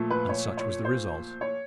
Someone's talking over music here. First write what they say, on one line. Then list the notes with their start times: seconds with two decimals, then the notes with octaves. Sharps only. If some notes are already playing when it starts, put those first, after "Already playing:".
And such was the result.
Already playing: A#2 F3 A3
0.10 B4
0.29 C#5
0.57 C#5
0.85 C5
1.41 C#5